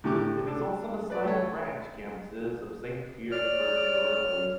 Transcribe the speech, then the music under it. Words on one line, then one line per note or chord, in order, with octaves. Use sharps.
It is also the site of branch campuses of St. Petersburg Universities.
A2 D3 G4 D6
D4 A4
B4 D5
A3 C#5
C#5 D5 F6